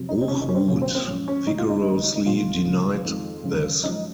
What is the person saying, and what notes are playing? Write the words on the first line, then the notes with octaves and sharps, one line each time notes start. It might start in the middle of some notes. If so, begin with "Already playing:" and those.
Hochhuth vigorously denied this.
Already playing: F2 C3 F#3
D#4
C4
C#2 C3 D#3 C#4
D#4
C#4
C4
C2 A#2 F#3 C#4
C4
C4
F#2 F3 G#3 C#4
C#4
F#2 C#3 G#3 D#4
F4
D#4
D#2 C#3 G#3
D#4
C2 A#2 F3 G#3 F4
C#2 C#3 G#3
F2 D#3 G#3
F#2 C#3 F3 G#3
F#2 F3 G#3 D#4